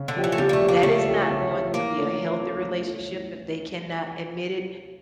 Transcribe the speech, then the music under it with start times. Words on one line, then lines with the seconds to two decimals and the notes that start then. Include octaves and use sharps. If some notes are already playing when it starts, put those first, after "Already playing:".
that is not going to be a healthy relationship if they cannot admit it
Already playing: C#3
0.08 D3
0.16 F3 C#4 G4
0.24 E3
0.32 A3
0.38 C#3 G3
0.49 A#3
0.53 A3
0.60 F3 C#4 G4
0.68 A#3
0.83 C#3 A3
1.05 F3 C#4 G4
1.28 C#3
1.52 F3 C#4 G4
1.74 E3 A#3
1.96 A3 C#4 F4 A4
2.18 E3
2.41 A3 C#4 F4 A4
2.64 E3
2.86 A3 C#4 F4 A4
3.09 E3